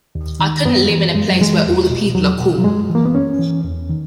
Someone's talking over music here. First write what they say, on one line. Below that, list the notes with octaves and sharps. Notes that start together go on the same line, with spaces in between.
I couldn't live in a place where all the people are cool.
D#2
D#3
F#2 B3
E3
F#2 G#3
F#3
E3 G#3
E2
B2
E2 F#3
B2
F#3
F#2 G#3
E3
A#3
B3
F#2 C#4
E3
E2
D#3